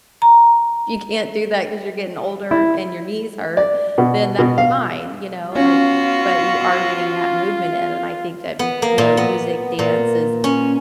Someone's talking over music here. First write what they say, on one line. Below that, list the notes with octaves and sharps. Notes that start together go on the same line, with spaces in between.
you can't do that 'cause you're getting older and your knees hurt, then that's fine, you know? Like, but you are getting that movement in, and I think that, y you know, music, dance is,
A#5
E4
D5
B2
B2
F5
B3 C#4 F4 F#4 F5
B3
A#3
A#2
B3
A#2
C#4